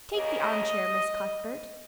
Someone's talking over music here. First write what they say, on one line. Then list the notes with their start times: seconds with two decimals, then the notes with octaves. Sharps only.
Take the armchair, Miss Cuthbert.
0.13 D#2 C#3 A#3 D#5